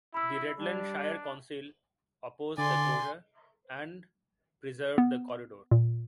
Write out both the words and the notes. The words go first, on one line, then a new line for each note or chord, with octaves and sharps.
The Redland Shire Council opposed the closure, and preserved the corridor.
E4 B5 E6
G3 D4
D3 D5 G#5 C6
B3
A#2